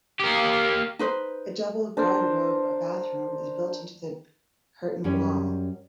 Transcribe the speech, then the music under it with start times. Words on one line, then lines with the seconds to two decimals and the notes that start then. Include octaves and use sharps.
A double garderobe or bathroom is built into the curtain wall.
0.20 A#3 G4
0.99 D#4 B4 C5
1.97 D4 A#4 C5
5.04 F#2 G3 C#4